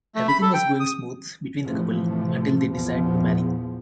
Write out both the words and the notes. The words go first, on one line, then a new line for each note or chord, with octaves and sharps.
Everything was going smooth between the couple until they decide to marry.
A3
B5
A4
G5
D#6
A2 C3 E3 F3 A3
A#1 E2 F3 B3